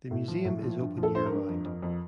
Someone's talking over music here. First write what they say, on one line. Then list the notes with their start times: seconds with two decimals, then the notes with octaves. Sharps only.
The museum is open year-round.
0.11 A2
0.28 F3
0.45 A2
0.63 F3
0.80 G2
0.98 F3
1.03 A4
1.15 G2 C5
1.26 A#4
1.31 G2
1.48 F2
1.65 F2
1.82 F2